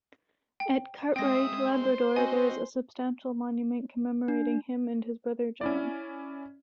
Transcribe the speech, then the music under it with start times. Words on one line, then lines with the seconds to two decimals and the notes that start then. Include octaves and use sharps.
At Cartwright, Labrador, there is a substantial monument commemorating him and his brother John.
0.60 G5
1.16 G#3 C4 E5 G5 D#6 A#6
1.74 C5 C6
2.16 C4 F#4 D#5 G#5
4.28 D4
5.61 C#4 E4 D5